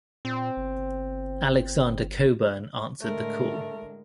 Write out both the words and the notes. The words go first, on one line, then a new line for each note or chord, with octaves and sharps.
Alexander Cockburn answered the call.
A#2 C4
G1
A2 D3 G#3 A3 A#4